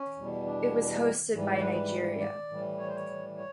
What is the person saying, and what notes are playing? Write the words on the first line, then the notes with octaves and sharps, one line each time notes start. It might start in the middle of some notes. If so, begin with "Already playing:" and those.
It was hosted by Nigeria.
Already playing: C#4
E2 B2 G3
D4
G#2 E3 G3
B4
D5
A2 E3 G3
C#5
C5
C#5
C#5